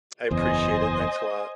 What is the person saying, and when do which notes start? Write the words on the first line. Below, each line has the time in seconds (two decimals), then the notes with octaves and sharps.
I appreciate it, thanks a lot.
0.31 F#1 E2 C5 D#5 G#5